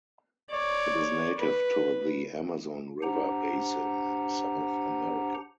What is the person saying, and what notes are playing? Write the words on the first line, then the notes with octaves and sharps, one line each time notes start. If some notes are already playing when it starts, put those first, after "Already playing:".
It is native to the Amazon River basin in South America.
C#5 D5
B4
D4 G4 C5 F#5 A#5